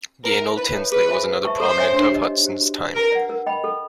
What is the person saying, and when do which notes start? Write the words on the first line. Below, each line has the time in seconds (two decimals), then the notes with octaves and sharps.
Gaynell Tinsley was another prominent of Hutson's time.
0.24 A#4 C5
0.41 E5 G#5 B5
0.57 E4 B4
0.75 A4 C#5 E5
0.92 G#4 B4
1.09 C5 E5 G#5
1.26 B4
1.43 E5 A5 C#6
1.60 A4 C5
1.77 C#5 E5 G#5
1.93 D4
2.11 G4 C5 D#5
2.28 D#4
2.45 G4 C5
2.61 F#4
2.78 B4 D5
2.95 A#4 B4
3.12 D5 F#5
3.29 A#4
3.46 D#5 G5 B5
3.64 A4